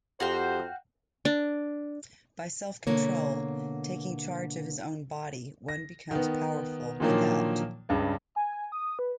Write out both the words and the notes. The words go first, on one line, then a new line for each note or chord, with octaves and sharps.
By self-control, taking charge of his own body one becomes powerful without.
F2 F#4 G4 C5 F5 G5
D4
B2 D3 A#3 C#5
A#6
D#3 B3
A#2 D3 D#3 F3 F#3 A#3
C#2 G2 C#3
G#5
D#6
B4